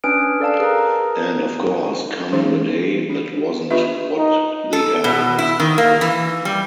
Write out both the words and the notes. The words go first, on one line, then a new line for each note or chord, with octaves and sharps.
And, of course, come the day, that wasn't what the airlines wanted.
C#4 D4 B4 D#6 F6 D7
A4 D5 F5 A5
G#4 A#4 B4 A#5
E3 G#3 C#4 D#4 G#4 C5
D4
D4 F4 G4 B4 D#5 E5
D#4
A4
B2
E4
D#3
A#3
E3
G3